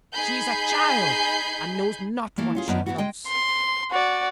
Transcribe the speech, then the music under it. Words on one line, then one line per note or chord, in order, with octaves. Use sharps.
She is a child, and knows not what she loves.
D#4 G#4 G#5 B5 G6 C7
E3 A3 A#3
C#4 F4 G#4
F#2 D#3 B3 D4 D#5
E3 F3 A3 B3 F#4
G#3 D#5 G5
C6
F#4 D5